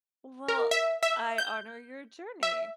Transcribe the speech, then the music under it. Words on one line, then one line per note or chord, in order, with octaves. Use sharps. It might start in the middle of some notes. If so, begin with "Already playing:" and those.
Well, I honor your journey.
A#4
E5
E5
G6
E5